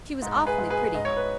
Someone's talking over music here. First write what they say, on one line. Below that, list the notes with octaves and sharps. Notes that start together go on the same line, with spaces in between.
She was awfully pretty.
G#2
G#4 B4
G#2
G#4 B4
G#2 D#5
C#5
B4